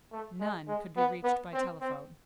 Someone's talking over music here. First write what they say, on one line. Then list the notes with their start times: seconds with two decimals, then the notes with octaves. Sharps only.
None could be reached by telephone.
0.12 A3
0.40 G#3
0.68 G#3
0.97 B3
1.24 B3
1.53 C4
1.81 C4